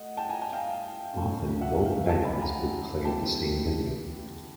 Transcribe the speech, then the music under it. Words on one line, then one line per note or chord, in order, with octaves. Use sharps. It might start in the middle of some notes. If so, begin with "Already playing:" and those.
Often, both bands would play at the same venue.
Already playing: A3 D#5 F#5
G5 A5
G#5 A#5
G5 A5
F5 G5
C2 B2 F#3 A3 C#4
E5 F#5
F5 G5
G5 A5
A5 B5
G#5 A#5
C#3 E3 G#3 B3 G5 A5